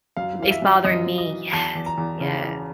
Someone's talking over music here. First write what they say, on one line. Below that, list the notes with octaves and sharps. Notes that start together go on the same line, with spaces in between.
M "It's bothering me." Yes, yeah.
F#2 F5
E3 F5
E5
F#2
F#2 D#5
F#2
D#5
E3
E2 A5
E2
A#5
E2
C#3
E3